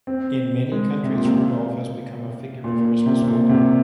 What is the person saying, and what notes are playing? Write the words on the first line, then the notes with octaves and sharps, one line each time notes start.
In many countries, Rudolph has become a figure of Christmas folklore.
C4
G#3
C3
A#2
C3
C#3
A#2
A#2
C3
C3
A#2
C3